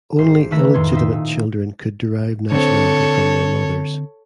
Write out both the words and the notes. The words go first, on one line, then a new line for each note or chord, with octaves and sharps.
Only illegitimate children could derive nationality from their mothers.
G#1 C5 C7
D#3 A3 B4 E5 A#5
F2 A2 D#3 C6 G#6
D#4 C5 E5
A#2
D3 C4 A4 C#5